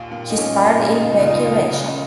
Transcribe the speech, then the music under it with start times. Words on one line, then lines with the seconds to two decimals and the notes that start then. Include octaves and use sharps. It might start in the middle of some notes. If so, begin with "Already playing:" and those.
He starred in "Kueki Ressha".
Already playing: D#2 A#2
0.12 A#2
0.30 D#4
0.38 A#2 C#4
0.65 A#2 C#4
0.91 C#3 D#4
1.01 F4
1.11 D#4
1.19 C#2 F4
1.30 D#4
1.40 F4
1.46 C#2 D#4
1.72 C#3